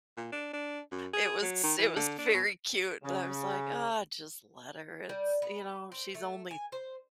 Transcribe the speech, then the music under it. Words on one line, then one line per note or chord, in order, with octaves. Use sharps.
it was it was very cute, but I was like, "Ah, just let her," it's, you know, she's only
A#2
D4
D4
F#2
G#4
F#3
D#3
E3
D3
D4
B2
C#3
G3
B3
C4
A3
G#5
C5